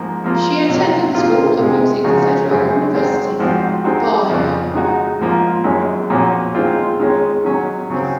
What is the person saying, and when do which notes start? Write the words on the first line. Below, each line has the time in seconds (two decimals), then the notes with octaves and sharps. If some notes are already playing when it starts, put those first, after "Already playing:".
She attended the School of Music Federal University of Bahia.
Already playing: G#2 F3 A#3
0.24 F3 A#3 F4
0.69 C3 F#3 A#3
1.15 C3 D#3 A#3 F4
1.59 C3 D#3 G#3
2.04 C#3 F3 G#3 D#4 F#4
2.50 F#2 C#3 G#3 C4
2.94 D#3 G#3 C4 F#4
3.39 G#2 F3 C4 F#4
3.84 D#3 G#3 C4 D#4 F#4
4.29 F2 C#3 F3
4.75 D#3 G#3 D#4 F#4
5.19 G#2 F3 A#3 F4
5.64 F#2 D#3 G#3 C#4
6.10 A#2 F3 A#3 C#4 F#4
6.55 D#3 G#3 C4 F4
7.00 D#3 G#3 C#4
7.44 D#3 F#3 C#4
7.90 C#3 F#3 C4